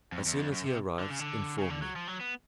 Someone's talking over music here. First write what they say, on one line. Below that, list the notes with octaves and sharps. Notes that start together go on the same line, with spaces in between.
As soon as he arrives inform me.
F2
E2
F2
F#2
C3
D3
C#3
D3
C#3
D3
F#3
F3
F#3
B3